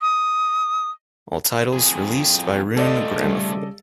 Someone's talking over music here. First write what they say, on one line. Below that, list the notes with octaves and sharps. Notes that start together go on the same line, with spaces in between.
All titles released by Rune Grammofon.
D#6
F2 G#4
A3 F4 A4 D5 D#5
C#3 G3